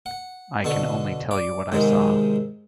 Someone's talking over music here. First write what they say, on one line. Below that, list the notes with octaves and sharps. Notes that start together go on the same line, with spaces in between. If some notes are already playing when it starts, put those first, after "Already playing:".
I can only tell you what I saw.
F#5
B2 D3 A4 C#6
D5
G#2 C3 D#3 G#3